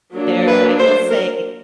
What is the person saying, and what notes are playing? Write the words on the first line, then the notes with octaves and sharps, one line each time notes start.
There I will say
F#3 A#3 D4
B4
C5
A#4